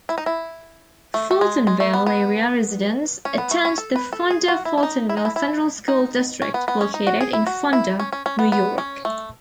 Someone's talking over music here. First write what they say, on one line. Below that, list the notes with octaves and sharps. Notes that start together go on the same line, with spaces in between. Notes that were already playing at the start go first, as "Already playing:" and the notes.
Fultonville area residents attend the Fonda-Fultonville Central School District, located in Fonda, New York.
E4
D#4
E4
A3
A3
G#3
G#3
A3
B3
B3
C#4
B3
A3
C#4
A4
B4
A4
G#4
F#4
E4
E4
D#4
E4
D#4
E4
E4
D#4
C#4
B3
B3
C#4
D#4
F#4
G#4
E4
F#4
E4
C#4
C#4
C#4
B3
B3
C#4
A3